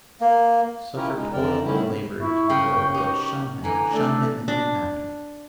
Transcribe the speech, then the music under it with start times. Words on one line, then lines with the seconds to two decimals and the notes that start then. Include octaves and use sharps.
Suffer toil and labour if you will, but shun him, shun him, and be happy.
0.21 A#3
0.96 C#4 E4 F4 G4 A#4
1.16 G#3 D#4
1.33 F2 D3 E3 A#4 D5 G5
1.64 A2 D3 D#3 G3 C#4 E4
2.21 E4 C#6
2.50 C#3 A#4 G5
2.94 D#4 F#4 G4
3.64 D3 E3 G#5 A#5
3.93 A3 D4 D5
4.48 D4